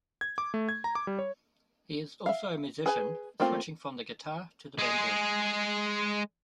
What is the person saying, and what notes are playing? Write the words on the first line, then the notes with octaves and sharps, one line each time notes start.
He is also a musician, switching from the guitar to the banjo.
G#6
D6
A3
G#6
A#5
D6
G3
C#5
E5 F5
G#4 B4 G#5
A3 A#3 C4 F4 A#4
G#3 G#4